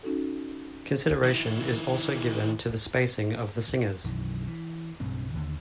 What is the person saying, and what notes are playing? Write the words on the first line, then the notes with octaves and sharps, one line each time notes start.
Consideration is also given to the spacing of the singers.
C#4 D#4 F#4 A4
D#3 E4
B1 F#2 D#3 E3
E3
B1 G2 C#3 C4
D#2 D3